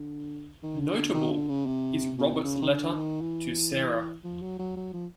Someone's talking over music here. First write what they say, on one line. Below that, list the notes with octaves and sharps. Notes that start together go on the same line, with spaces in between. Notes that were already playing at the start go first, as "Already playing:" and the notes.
Notable is Robert's letter to Sarah.
Already playing: D3
D#3
D3
D3
D#3
D3
C#3
C3
B2
C3
C#3
D#3
D3
D#3
E3
F3
F#3
F#3
F#3
F3